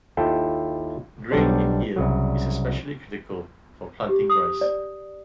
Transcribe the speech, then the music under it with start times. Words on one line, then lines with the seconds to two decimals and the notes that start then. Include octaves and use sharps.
Grain in Ear is especially critical for planting rice.
0.17 D#2 E4 F4 A4 G5
1.31 B1 F#3 G3 D4 C5
1.96 C2 C#3 F#3
4.09 G4
4.30 D#6
4.61 D5